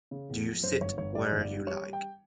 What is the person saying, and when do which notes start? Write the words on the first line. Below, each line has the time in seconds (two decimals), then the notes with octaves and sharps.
Do you sit where you like.
0.11 C#3
0.29 E2
0.46 F3
0.63 F#2 C5
0.81 G1 C#5
0.98 G1 C#5
1.15 G3 D5
1.32 G1
1.41 D5
1.50 G3
1.67 G3 C#5
1.84 G3
1.93 G5